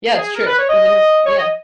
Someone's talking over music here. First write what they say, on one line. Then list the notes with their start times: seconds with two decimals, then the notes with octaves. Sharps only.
Yeah, it's true, even if yeah.
0.13 G#4
0.36 A#4
0.47 B4
0.59 C#5
0.70 D#5
1.26 C#5
1.38 D#5